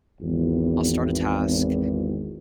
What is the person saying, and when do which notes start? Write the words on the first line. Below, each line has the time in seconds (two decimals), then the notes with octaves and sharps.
I'll start a task,
0.22 G#1 E2